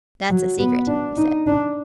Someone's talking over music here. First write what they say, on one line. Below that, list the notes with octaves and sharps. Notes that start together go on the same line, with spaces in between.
"That's a secret!" he said.
F#3
B3
D4
D#4
D4